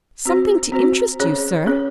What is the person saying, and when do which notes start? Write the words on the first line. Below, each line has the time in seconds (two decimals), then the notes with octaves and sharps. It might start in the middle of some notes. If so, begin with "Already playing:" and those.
"Something to interest you, sir."
0.25 C4 F#4 C5
0.72 C4 F#4 C5
1.20 C#4 G#4 C#5
1.67 C#4 G#4 C#5